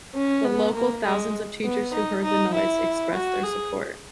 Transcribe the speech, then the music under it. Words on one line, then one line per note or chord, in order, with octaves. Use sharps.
The local thousands of teachers who heard the noise expressed their support.
C#4
B3
A#3
G#3
B3
D#4
D#4
E4
F#4
G#4